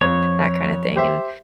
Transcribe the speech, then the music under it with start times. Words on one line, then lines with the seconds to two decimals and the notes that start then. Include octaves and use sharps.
that kinda thing, and
0.01 F2 F3 C#5
0.96 G4 C5 E5